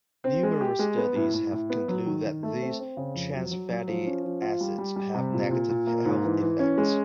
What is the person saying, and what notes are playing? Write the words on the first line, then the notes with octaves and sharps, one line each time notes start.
Numerous studies have concluded that these "trans" fatty acids have negative health effects.
C4
G#3
G4
G#3
B3
A2
A2
A2
B3
F#3
D#3
D#3
A3
C4
C4
C#3
F2
F#3
F#3
F#3
F3
C#4
F3
F4
G3
G3
G3
C3
A#2
A#2
A#2
A#3
G#2
E3
E3
C#4
G#3